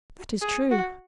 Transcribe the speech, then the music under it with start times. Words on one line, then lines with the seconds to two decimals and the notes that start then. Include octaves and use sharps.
"That is true."
0.41 G#4
0.71 F#4